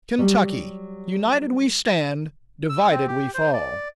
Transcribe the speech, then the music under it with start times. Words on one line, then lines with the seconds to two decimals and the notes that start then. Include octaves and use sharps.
Kentucky--United we stand, divided we fall.
0.18 F#3 G3
2.70 E6
2.90 C4
3.08 G4
3.34 C5
3.54 D5